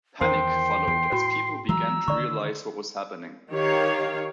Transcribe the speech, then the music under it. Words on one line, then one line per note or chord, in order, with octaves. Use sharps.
Panic followed as people began to realize what was happening.
E2 D#3 E4 A#4 C5 G5 C6
E2
A2 F#4
E3 F#3 G#3 A#5 E6
D3 D#3 D5 C#6
D#3 G4 C#5 F5